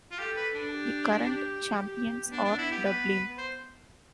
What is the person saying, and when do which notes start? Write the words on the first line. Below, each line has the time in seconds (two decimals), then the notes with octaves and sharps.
The current champions are Dublin.
0.11 F4
0.19 G4 A4
0.36 B4
0.54 D4
0.72 G4
1.25 G4
1.79 G4
2.32 B3 D4
2.45 D4
2.58 E4
2.71 G4
2.85 B4
3.38 C5